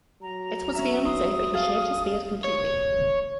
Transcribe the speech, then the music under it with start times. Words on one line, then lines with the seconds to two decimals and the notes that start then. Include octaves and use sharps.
It was the only day that he shaved his beard completely.
0.22 F#3 A#5
0.75 C#4 E5
1.05 C6 D#6
1.53 G#4 A4 F5
2.44 C#5